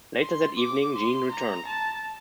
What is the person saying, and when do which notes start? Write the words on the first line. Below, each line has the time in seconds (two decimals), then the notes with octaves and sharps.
Later that evening, Jean returns.
0.22 C6
0.59 D6
0.95 C6
1.32 A#5
1.67 A5